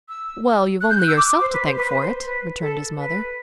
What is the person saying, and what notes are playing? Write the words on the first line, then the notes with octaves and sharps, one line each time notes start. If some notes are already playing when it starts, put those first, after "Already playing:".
"Well, you've only yourself to thank for it," returned his mother.
E6
F#6
G6
F#6
E6
D6
C5
B4
C5
B4
B4
C5
B4
A4
B4